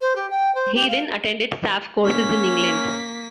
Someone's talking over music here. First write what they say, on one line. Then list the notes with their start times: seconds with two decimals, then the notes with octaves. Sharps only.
He then attended staff courses in England.
0.01 C5
0.16 G4
0.30 G5
0.55 C5
0.75 G4
0.88 F5
2.04 A#3 C#4 B6